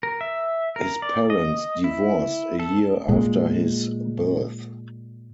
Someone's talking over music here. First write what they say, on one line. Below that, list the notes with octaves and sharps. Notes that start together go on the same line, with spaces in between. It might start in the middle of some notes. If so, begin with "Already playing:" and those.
His parents divorced a year after his birth.
A#4
E5
A#4
D5
D#5
E4
A4
A#2 G#3